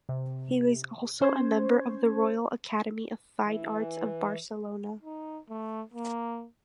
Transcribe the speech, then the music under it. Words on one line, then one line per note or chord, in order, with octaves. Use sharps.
He was also a member of the Royal Academy of Fine Arts of Barcelona.
C3
C#4 C5 C6 C#6 G#6
E3
D#4
A3
A#3